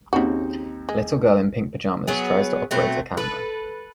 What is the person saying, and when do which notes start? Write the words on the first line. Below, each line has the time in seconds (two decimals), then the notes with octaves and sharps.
A little girl in pink pajamas tries to operate a camera.
0.13 D#2 C#3 C4 D#4 F#4
0.89 G#3
2.07 F#3 B3 G#4
2.71 B2 F#3 A3 C4
3.17 A4 B4